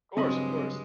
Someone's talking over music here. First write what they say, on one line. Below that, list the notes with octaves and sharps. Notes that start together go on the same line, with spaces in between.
Course, of course.
G2 C#3 F#3 G#3 C4 D#5 B5